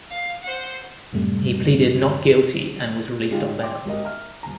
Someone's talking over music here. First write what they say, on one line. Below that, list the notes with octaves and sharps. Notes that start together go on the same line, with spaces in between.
He pleaded not guilty and was released on bail.
F5
C5 F#5
F#2 A2 C3 G3 A3
D3 G#3 D4 D#4 F4 G4
G5 C6 D6
G#1 G4 A#4 D#5
E5 A#5 F6
D#1 A#5